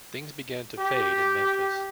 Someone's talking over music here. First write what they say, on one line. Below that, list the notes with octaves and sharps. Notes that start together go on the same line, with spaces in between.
Things began to fade in Memphis.
G4